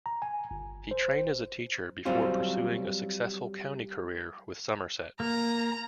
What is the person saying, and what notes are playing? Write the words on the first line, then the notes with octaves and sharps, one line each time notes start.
He trained as a teacher before pursuing a successful county career with Somerset.
A#5
G#5
G1
C5
F#3 G3 C4 C#4 F4
A#3 A#5